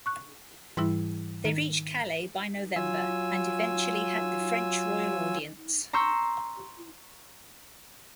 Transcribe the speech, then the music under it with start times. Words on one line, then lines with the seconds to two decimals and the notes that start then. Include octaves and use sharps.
They reached Calais by November and eventually had the French royal audience.
0.06 C#6 F#6
0.77 G#2 E3 G3 E4
1.45 D#3
2.76 F#3 F4 G#5 E6
5.93 A#5 C6 C#6 E6 G6